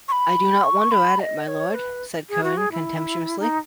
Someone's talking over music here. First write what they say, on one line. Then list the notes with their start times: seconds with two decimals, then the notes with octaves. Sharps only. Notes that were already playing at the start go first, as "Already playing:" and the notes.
"I do not wonder at it, my lord", said Curran contemptuously.
0.08 C#6
0.12 B5
0.63 C#6
0.91 B5
1.20 D#5
1.47 C#5
1.74 B4
2.29 G#4
2.43 F#4
2.57 G#4
2.71 E4
3.39 D#4